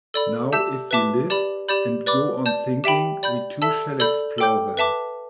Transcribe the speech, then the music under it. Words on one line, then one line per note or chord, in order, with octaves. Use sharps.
Now if we live, and go on thinking, we too shall explore them.
A4 D5 B5
G4 E5 A5 E6 G6
B4 E5 A5 D6
G4 D5 B5
G4 D5 B5 G6
B4 D5 B5 D6
D5 A5 G6
G4 E5 G5 B5
D5 B5 G6
A4 E5 A5 E6
A4 D5 B5 G6
A4 G5 D6 G6
B4 E5 A5 D6